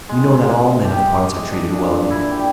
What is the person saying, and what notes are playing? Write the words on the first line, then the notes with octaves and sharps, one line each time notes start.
You know that all men of parts are treated well here.
G#3
G#3
E5
G4
G#3
D#5
D4
A#2
E4
G4